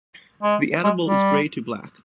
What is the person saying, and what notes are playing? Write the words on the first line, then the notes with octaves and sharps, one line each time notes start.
The animal is grey to black.
G#3
G#3
G3